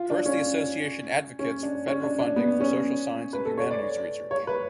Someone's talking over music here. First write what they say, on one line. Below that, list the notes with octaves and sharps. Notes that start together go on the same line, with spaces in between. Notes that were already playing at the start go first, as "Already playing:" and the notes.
First, the association advocates for federal funding for social science and humanities research.
Already playing: F4
D4
C#4
C#4
D4
C#4
D4
D4
B3
C#4
B4
A4
C#5
D5
C#5
B4